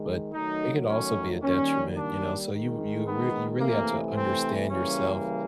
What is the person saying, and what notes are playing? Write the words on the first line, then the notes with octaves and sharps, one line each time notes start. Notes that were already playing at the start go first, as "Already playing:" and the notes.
but it could also be a detriment, you know? So you you r you really have to understand yourself,
Already playing: D#3 G#3
D#3 F#3 A3 D#4
C#4
D#3 G3 A#3 C#4
D4
D#3 G#3
B3
C3 E3 A3 A#3
C4
C#3 E3 G3 A#3 C#4